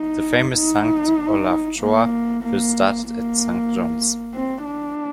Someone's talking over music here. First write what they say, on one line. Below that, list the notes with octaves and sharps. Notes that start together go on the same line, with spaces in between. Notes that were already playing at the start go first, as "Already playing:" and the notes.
The famous Saint Olaf Choir first started at Saint John's.
Already playing: D#4
D#4
A#3
A#3
A#3
C4
D4